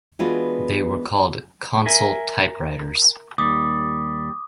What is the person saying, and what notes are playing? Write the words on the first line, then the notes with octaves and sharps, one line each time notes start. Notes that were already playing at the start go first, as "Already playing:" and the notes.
They were called "console typewriters".
E3 G#3 B3 D4 F4 F#4
A#4 E5 G#5
D#2 G3 D6 D#6